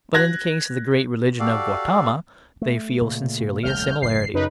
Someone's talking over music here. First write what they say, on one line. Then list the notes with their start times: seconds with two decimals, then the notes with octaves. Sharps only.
But in the case of the great religion of Gautama they feel sincerely a similarity.
0.14 F#6 G#6 A#6
1.40 F#4 G4 A4 D5 F5
2.62 A3
3.01 A#2 C#3 A3
3.63 D#1 C2 A3 F6 G6
4.02 F#1 A#2 C7
4.34 F#2 C#3 D#4 B4